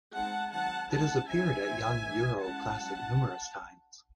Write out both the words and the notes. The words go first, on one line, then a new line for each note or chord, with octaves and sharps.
It has appeared at Young Euro Classic numerous times.
G#3 C4 D#4 F#5 A5
D#3 F#3 C4 F#5 A5
G#3 C#4 E4 F#5 A5
F#3 C4 D#4 E5 G#5
E3 C4 D#4
E3 A3 D#4
G#3 C#4 E4 F#5 A5
F#3 C#4 E4